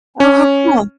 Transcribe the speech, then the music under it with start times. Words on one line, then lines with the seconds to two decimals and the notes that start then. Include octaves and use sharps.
Oh, how cool.
0.20 C#4